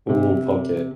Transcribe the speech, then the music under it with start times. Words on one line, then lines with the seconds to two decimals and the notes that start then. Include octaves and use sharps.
Ooh, poke,
0.10 C3